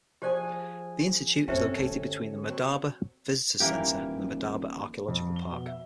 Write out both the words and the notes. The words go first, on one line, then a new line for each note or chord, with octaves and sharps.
The Institute is located between the Madaba Visitors Center and the Madaba Archaeological Park.
F3 G4 G#4 C5 D5 G#5
F#2 C4 C#4 G4 A4 C5 E5 G5
D3 A3
F#3 C4
D#1 E3 A#3 G4
F2
G7
B2
E5